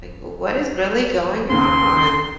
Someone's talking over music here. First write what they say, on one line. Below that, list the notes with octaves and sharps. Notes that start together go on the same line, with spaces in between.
Like, what is really going on?
D#2 C#3 C6